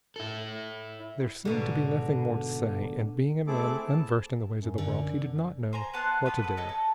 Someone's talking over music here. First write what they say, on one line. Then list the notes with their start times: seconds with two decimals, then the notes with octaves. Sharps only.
There seemed to be nothing more to say, and, being a man unversed in the ways of the world, he did not know what to do.
0.16 E4 A4
1.45 G#2 B2 D3
3.47 A3 C4 E4 G#4 A4 D6
3.87 A5
4.58 F#2
4.78 D3
5.73 C5 G#5 A#5
5.94 B3 A5 C6 F#6
6.26 B3 B4 A5 D#6
6.42 A4 B4
6.57 A4 C#5 D#5
6.69 A5